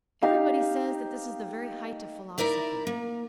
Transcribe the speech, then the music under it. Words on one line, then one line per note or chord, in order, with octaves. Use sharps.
Everybody says that this is the very height of philosophy.
D#4 G4 F5
D#4 E4 A#4 D5 E5
A#3